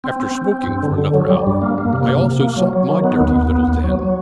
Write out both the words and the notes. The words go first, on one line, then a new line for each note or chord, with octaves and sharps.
After smoking for another hour, I also sought my dirty little den.
C4
C4
C4
C4
G2
D3
D3
F#3
G3
G2
A#3
A#3
C3
C3
C3
A#3
F#3
F#3
D#3
B3
D#2
D#2
B3
D#2
F#3
F#3